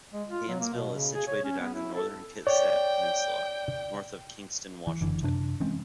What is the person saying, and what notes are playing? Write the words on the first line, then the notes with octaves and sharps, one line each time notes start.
Hansville is situated on the Northern Kitsap Peninsula, north of Kingston, Washington.
G#3
F4
F#3
A#3
B2
C#3
G#4
C#5
C#4
B3
E4
A4
C#5 D5 G5
E3
F#1 D3 E3
F#2 C3 D4
E3 G#3 C4 C#4